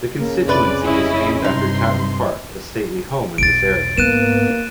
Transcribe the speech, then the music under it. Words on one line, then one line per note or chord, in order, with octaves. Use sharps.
The constituency is named after Tatton Park, a stately home in this area.
C#3 A#3
F2 C3 B4 D5
C#4 E4 D#5
G2 C3 D#4 C6
B1 E2 A6 D7
G#2 A#3 B3 F#6 D#7 E7